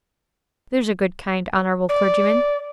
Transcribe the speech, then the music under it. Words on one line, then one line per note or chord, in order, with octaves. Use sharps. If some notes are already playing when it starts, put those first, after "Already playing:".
There's a good, kind, honourable clergyman.'
D5